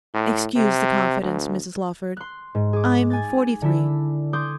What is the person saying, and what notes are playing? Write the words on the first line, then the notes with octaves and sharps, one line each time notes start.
'Excuse the confidence, Mrs Lawford, I'm forty-three.'
A2
C3
D2
C6 F#6
G#2
G#4 D6
G#5 A6
D3 D4 E4 B6
C6 D6 D#6 G6 G#6